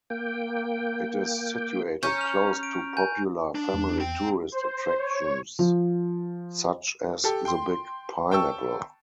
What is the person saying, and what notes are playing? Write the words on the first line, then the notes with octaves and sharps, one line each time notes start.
It is situated close to popular family tourist attractions such as The Big Pineapple.
A#3 G5
C#4 A#5 C#6 G6
F6 F7
D7
G#5 G6
D4
E2
C4 G5
C5
C#5
F3
G4 A4
G5 C6
G5 A5 C#6 E6